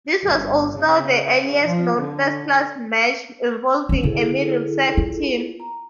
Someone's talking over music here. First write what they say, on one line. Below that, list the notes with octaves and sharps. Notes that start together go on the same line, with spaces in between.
This was also the earliest known first-class match involving a Middlesex team.
G1
C#3
F3
D3
C#4 D4
D3 E4 G#4 A4
F4
A#5